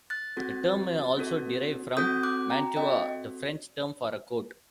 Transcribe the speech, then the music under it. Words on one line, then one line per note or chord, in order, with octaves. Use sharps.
The term may also derive from "manteau", the French term for a coat.
F#6 A6
C4 F#4 A4
C4 F#4 A4
C4 F#4 A4 D#6 G6
D6 F#6
G5 A#5
C4 F#4 A4 D#5 G5